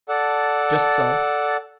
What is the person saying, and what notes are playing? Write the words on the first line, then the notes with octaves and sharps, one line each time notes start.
"Just so."
A4 D5 F#5 A5